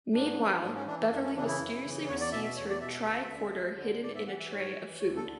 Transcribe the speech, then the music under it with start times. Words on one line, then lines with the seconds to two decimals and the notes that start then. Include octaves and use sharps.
Meanwhile, Beverly mysteriously receives her tricorder hidden in a tray of food.
0.13 G#2 D4
0.39 E3
0.62 G#2 D4
0.75 C#4
0.86 E3 D4
1.11 F#2 D4
1.23 C#4
1.35 C#3 E3 D4
1.47 E4
1.60 F#2
1.84 C#3 E3
2.08 E2 C#5
2.21 D5
2.32 B2 E5
2.44 E5
2.57 E2 C#5
2.69 D5
2.81 B2 E5
2.93 E5
3.05 D2
3.30 D3
3.54 D2
3.78 D3
4.03 G#2 D5
4.15 E5
4.27 E3 F#5
4.39 E5
4.51 G#2 C#5
4.75 E3
4.99 D2 C#5
5.16 A4
5.23 D3